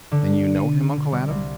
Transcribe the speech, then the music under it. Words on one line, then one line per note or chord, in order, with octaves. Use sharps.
Then you know him, Uncle Adam?
D3
D#7
B2
G3
C2